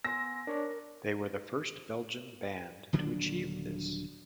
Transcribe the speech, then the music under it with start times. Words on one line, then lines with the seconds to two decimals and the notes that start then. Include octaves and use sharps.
They were the first Belgian band to achieve this.
0.04 B3 G#5 C6 E6 A#6
0.47 D4 A#4 C#5 D5
2.93 D#1 D3 F#3 D4